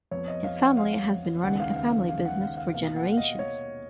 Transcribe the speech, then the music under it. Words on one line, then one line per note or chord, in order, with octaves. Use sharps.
His family has been running a family business for generations.
F2 F3 B3 C#5
D#5
F5
F#5
F5
D#2 C#3 G#3 B3 F#5
F5
F5
F5
F5
F#5
F5
F5
B2 A#3 F5
F#5
F5
D#5
C#5